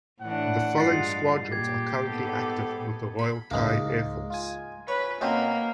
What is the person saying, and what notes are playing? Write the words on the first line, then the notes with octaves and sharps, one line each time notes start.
The following squadrons are currently active with the Royal Thai Air Force.
A2 E3 D4 F#5
G2 G#3 F4 A6 C7
A#2 G4 G#6
G#2 B3 A4
B5
C#2 G#2 G#3 A#3
F4 G#5
B4 C#5
B2 A#3 C4 C#4